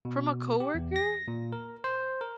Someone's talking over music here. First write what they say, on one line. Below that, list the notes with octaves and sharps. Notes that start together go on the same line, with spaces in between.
From a coworker?
B2
G4
E2
A#6
A#2
A#4
C5
A#4